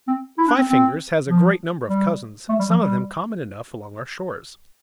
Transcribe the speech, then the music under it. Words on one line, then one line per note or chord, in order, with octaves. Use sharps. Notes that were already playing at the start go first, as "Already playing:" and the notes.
Five-fingers has a great number of cousins, some of them common enough along our shores.
C4
E4
D4
C4
C4
F3
G3
A3
G3
F3
G3